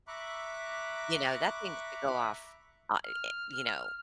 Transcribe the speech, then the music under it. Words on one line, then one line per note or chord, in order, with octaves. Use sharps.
You know, that thing could go off, o i eh you know
E5 A#5 B5 C#6 D6 F#6
F6